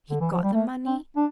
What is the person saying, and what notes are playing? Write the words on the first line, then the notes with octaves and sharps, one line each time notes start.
He got the money.
D3
E3
F3
G3
A3
C4
D4